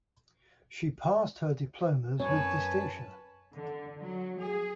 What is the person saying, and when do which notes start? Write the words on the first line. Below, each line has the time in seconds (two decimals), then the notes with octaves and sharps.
She passed her diplomas with distinction.
2.20 F#2 B4 C#5 G#5 A5
3.53 D3
3.99 F#3
4.40 G#4